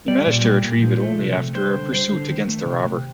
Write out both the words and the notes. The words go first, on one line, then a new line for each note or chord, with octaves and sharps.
He managed to retrieve it only after a pursuit against the robber.
G3 D5
A#2
G3
A#2
F3
A3
C3
C3
G3 C5
D3
G3 C5
D3
D#3
A3
C3
C3